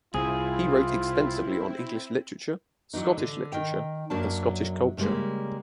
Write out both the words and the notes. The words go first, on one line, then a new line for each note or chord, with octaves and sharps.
He wrote extensively on English literature, Scottish literature and Scottish culture.
C2 C4 E4 F4 G#4
E3 F#3 D4 D#4
D3
D#3 G5
F#2 F#3 A#3 D4 A5
A2 C#3 G3 G#3 A#3